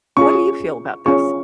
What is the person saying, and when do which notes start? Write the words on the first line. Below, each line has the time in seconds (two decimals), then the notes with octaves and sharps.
What do you feel about this?
0.17 C#4 F4 G#4 C#6
1.06 C#4 F4 G#4 C#6